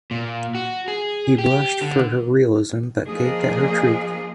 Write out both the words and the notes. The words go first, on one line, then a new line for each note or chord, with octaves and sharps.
He blushed for her realism, but gaped at her truth.
A#2
F#4
G#4
G4
D3
F3 A#3 D4 G#4 D#5